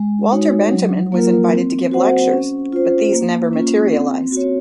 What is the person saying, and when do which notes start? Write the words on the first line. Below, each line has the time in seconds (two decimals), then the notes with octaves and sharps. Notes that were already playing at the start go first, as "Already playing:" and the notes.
Walter Benjamin was invited to give lectures, but these never materialized.
Already playing: G#3
0.32 D#4 F#4 C#5
0.72 F#3
1.12 A#3 F4 A#4
1.52 C4
1.92 F#4 C5 F#5
2.32 C#4
2.72 F4 C5
3.12 A#3
3.53 C#4 F4
3.93 C4
4.32 F#4 C#5